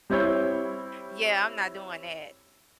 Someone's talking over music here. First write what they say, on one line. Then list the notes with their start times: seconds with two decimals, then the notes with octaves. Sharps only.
Yeah, I'm not doing that.
0.10 G3 C4 E4 C#5 G6 G#6